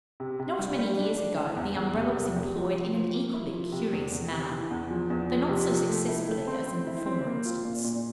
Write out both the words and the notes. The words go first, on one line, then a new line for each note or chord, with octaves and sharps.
Not many years ago the Umbrella was employed in an equally curious manner, though not so successfully as in the former instance.
C3
C3
G3
G3
D4
D4
E3
E2
E2
C3
E2
C3
F3
F3
F3
A#3
E4
F3
C3
E2
E2
C3
E3
E2
F3
E2
F3
C3
F3
A3
E4
A3
C4
C4
E4
C4
A#3
F4
A#2
A#2